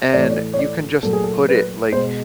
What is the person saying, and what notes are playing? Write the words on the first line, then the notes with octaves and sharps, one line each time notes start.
and you can just put it, like,
A2 E3 A3 D5
C#5
D5
C#5
D5
A#2 F#3 A3 A4
G#4
A4
B4
B2 G#3 C5